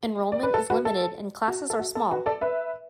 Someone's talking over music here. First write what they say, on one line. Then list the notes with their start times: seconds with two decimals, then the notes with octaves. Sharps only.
Enrollment is limited and classes are small.
0.32 D5
0.43 B4
0.54 A4
0.70 F#4 B4
0.85 A4
1.48 F#4
1.70 A4
1.79 F#4
1.95 A4
2.11 F#4 B4
2.26 A4 D5
2.41 B4 E5